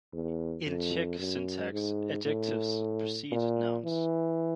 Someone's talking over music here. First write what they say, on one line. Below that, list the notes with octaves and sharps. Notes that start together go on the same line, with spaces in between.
In Czech syntax, adjectives precede nouns.
E2
F2
F#2
G#2
A2
A#2
E3